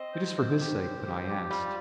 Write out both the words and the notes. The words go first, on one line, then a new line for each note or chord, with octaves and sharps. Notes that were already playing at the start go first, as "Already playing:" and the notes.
It is for his sake that I asked.
Already playing: C4 D#5
C5
C5
G4
C5
G4
G4
G3 F4